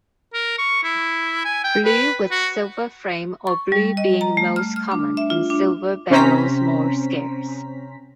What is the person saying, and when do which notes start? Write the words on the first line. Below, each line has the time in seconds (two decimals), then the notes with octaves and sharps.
Blue with silver frame or blue being most common and silver barrels more scarce.
0.34 A#4
0.58 C#6
0.84 E4
1.45 G#5
1.64 G5
1.85 B4
2.31 F#4
3.47 C#6
3.72 G3
3.97 D#5
4.21 A#5
4.37 A3
4.56 F6
4.76 F6
4.92 D4
5.17 E5
5.30 F4
5.50 D4
6.10 C3 C4 C#4 C5 A#5 B6